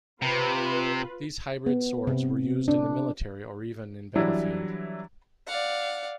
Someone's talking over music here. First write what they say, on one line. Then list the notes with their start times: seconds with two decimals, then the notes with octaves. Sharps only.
These hybrid swords were used in the military or even in battlefield.
0.22 C3 F4 B4
1.66 B3
2.07 C3
2.68 D4
4.16 E3 F#3 G3 D4 E4
5.47 D5 F5 F#5